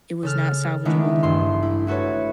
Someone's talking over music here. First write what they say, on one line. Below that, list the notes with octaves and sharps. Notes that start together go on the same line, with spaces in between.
it was not salvageable,
C#3 A4 F6
D#3 G#3 A3 B3 D4 E4
A1 G2 C6 E6
E4
E4 F#4 A4 B4 C#5